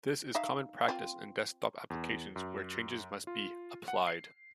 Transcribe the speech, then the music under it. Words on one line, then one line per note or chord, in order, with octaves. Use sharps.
This is common practice in desktop applications where changes must be "Applied".
D#4 E5 F5
C4 F4
E2
F#2
F4
F#5
C7